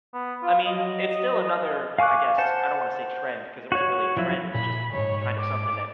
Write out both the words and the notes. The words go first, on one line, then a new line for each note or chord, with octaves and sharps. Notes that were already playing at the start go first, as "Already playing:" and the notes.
I mean, it's still another, I guess, I don't wanna say trend, 'cause it wasn't really a trend, it was just kind of something that
B3
F4 F5
F#3 D#5
F5 G#5 C#6 D6 F#6
C5 F#5 A5
F#4 C#5
F3 F#3 E4
A#2 B5
B1 G#2 C#5
D6